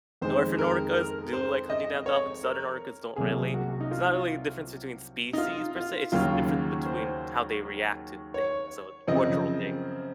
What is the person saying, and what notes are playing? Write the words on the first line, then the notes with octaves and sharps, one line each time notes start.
Northern orcas do like hunting down dolphins, southern orcas don't really; it's not really a difference between species per se, it's just a difference between how they react to things, so, it's a cultural thing.
F2 D#3 G#3 C5
A#4
A#4
C5
D#5
C#5
A#4
C2 C3 F#3 A#3 G#4
F#4
D#4
F4
D#4
F4
F4
D#2 C#3 F#3 A#3 F4
C5
C#5
F#2 C#3 F3 C4 D#5